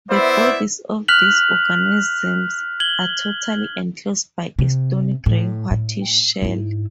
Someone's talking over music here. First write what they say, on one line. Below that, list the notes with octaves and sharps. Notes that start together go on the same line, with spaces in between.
The bodies of these organisms are totally enclosed by a stony gray-whitish shell.
B3 E4 C5 D5 E5
F6 F#6 B6 F7 F#7
G#6 F#7 G7
C3
A2
A2
G#2 E4